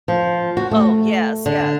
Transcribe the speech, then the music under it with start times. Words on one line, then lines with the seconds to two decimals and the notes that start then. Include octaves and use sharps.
R Oh, yes. Yes.
0.08 F3
0.57 F#4
0.71 A3
1.46 D3